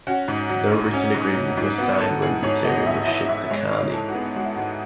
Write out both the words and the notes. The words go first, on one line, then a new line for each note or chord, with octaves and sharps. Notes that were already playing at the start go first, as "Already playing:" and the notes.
No written agreement was signed when the material was shipped to Carney.
C#4 F#4
G#2
F#3
G#2
C#4
G#2
F#3
G#2
B3 F#4
G#2 A4
E3 G#4
G#2 C#5
B3 D#5
G#2 E5
E3 E5
G#2 E5
G#3 C#5
G#2 C#5
E3 A4
F#4
B3 G#4
G#3 F#4
E4
G#2 F#4